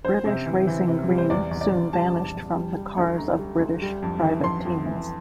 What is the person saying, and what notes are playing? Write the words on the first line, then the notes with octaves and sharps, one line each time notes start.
British Racing Green soon vanished from the cars of British private teams.
F2 C5
C3
E3
E3
C3
G3
C5
E2 D5
E2
D5
E2
G3 A5
E2
E2
G3
G3
D2
D2 A#5
G3
D2
G3
F2
E3
F2 C6
F2
E3